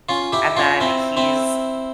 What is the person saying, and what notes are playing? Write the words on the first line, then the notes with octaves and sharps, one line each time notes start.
and then he's
C#4 F4
E4 G4
C#4 F4
C4 E4
C4 E4